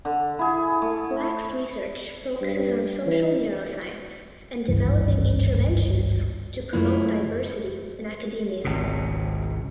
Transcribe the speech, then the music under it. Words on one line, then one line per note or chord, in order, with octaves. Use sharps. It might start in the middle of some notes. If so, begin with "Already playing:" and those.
Black’s research focuses on social neuroscience and developing interventions to promote diversity in academia.
D3
E4 G#4
A3
G2
E3
G#1 C#2 G2 E3
F#2 C#3 A3 E4 F4
G#1 C#2 B2